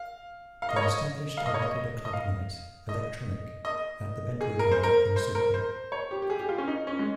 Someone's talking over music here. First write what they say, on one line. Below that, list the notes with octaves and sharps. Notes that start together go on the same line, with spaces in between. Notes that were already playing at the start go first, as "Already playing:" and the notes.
They established a regular club night, "Electronic", at the Bentley Bar in Sydney.
Already playing: F5
F5
D#5
C#5
D#5
F5
D#5
C#5
D#5
D#5
F5
D#5
D#5
G#4
A#4
C5
A#4
C5
A#4
C5
C#5
G4
G4
G#4
G4
F4
C#4
D#4
C#4
G#3